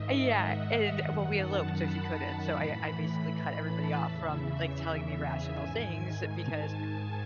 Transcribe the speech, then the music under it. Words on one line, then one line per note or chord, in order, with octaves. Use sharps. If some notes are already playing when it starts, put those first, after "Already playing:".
Uh, yeah. And well, we eloped so he couldn't. So I I basically cut everybody off from, like, telling me rational things because
Already playing: G#2 D#3 D#5 E5
F#5
F#2 D#3
A5
B5
B5
A2 E3
B5
A5
E2 C#3 E3 E5
E5
G#5
G#2
D#3
A5